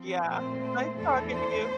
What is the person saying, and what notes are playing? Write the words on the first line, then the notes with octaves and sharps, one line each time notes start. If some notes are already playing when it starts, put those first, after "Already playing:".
Yeah, nice talking to you.
Already playing: F3 C4
A#2 A3 C4 C5
C5
E2 E3 A3 D4 A4
C5